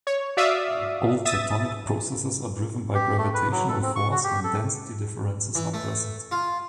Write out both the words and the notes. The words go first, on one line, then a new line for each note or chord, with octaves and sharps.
All tectonic processes are driven by gravitational force when density differences are present.
C#5
F#4 D5 E5 F5 D#6
E5 D#6 A6
G4
A3
B4
F#3
A4
C4
C#6
F#4
G4
A4
E3
A3
F4